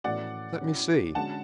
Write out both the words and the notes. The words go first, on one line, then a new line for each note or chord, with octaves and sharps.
"Let me see?"
A2 E3 A3 C#4 F#4 D5 F#5
F#3 C#4 E4
D3 G#3 C#4 F#4 F#5 A5